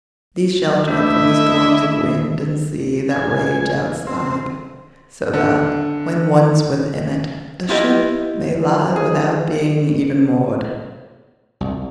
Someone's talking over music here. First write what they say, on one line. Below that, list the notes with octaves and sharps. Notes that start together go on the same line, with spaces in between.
These shelter it from the storms of wind and sea that rage outside, so that, when once within it, a ship may lie without being even moored.
A3 D4 E4 D#5 E5
G#5
C4
D3
E4 F4 G4 D#5
G#4
C2